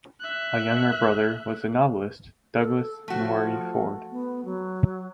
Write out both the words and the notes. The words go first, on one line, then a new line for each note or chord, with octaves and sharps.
A younger brother was the novelist Douglas Morey Ford.
E5 F#6
A4
F3 A3 F#4
B3
F#3